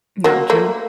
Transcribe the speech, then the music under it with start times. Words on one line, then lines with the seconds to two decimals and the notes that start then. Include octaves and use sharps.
No gym
0.24 F#3 A#3
0.50 A3 A#3